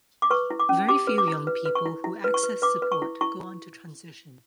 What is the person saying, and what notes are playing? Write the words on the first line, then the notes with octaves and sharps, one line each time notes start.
Very few young people who access support go on to transition.
D6
B4 C#6
E4
D6
C#4
G4 D6
B4
D6
E4
B4
B4
C#6
E4
E4
B4
C#6
B4
B4 D6
B4
C#6
E4
E4 C#6